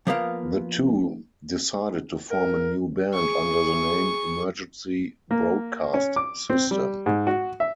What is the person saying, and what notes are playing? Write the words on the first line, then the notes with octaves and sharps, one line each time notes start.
The two decided to form a new band under the name Emergency Broadcast System.
F3 A#3 B3 A#4 E5 F5
A#4
G#4 C#6
A#3
C#4
D6
C4
G3
G#2
F#4
E5